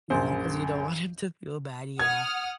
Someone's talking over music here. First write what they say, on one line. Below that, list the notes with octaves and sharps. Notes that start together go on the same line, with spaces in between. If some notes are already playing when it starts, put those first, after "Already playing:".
Yeah, 'cause you don't want him to feel bad, yeah.
A#1 F#2 C5
F#5 D#6 F6 G#6